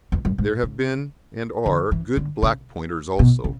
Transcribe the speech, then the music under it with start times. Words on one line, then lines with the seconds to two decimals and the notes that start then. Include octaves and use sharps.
There have been, and are, good black Pointers also.
0.12 E2
0.25 F#2
0.38 G#2
0.63 C#3
1.66 D3
1.91 E3
2.17 D3
2.42 C#3
3.19 B2
3.44 C#3